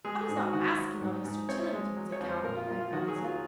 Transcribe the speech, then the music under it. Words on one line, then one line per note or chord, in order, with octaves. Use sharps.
'I was not asking on Mr. Tillington's account,' I answered.
G#3 G#4
G#4
G#2
F#4
D#3 F#4
F#3
G#2
G#2
C4 C#5
G#3
F#3
C#5
F2
C5
A#2 A#4
F4
A#3 F4
F4
D#3 F#4
G#4
F#3
F4